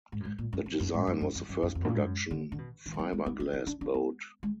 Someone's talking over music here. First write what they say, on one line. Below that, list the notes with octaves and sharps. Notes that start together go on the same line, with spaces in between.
The design was the first production fiberglass boat.
G#2
F#2
G#2
A#2
F#2
F2
F#2
G#2
F#2
F#2
F2
F#2
F#2
F2
A#2
G#2
F#2
D3
D3
B2
D#3
F3
F#3
G#3
B3
B3
D#4
D4
D4
B3
G#3